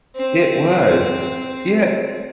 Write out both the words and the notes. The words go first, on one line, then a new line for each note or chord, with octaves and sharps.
It was, yeah
C4